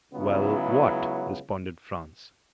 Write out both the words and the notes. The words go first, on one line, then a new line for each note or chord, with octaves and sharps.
"Well--what?" responded Franz.
C#2 C#3 F#3 B3 E4